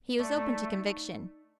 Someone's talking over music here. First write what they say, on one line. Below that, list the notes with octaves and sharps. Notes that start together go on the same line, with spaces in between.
He was open to conviction.
A3 D4
D#4